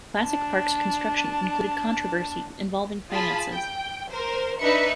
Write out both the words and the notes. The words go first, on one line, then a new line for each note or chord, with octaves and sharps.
Classic Park's construction included controversy involving finances.
D4 A5
F4 G#4 A5 B5
G5
A#4 C5
D4 D#4 B4 E5 B5 C#7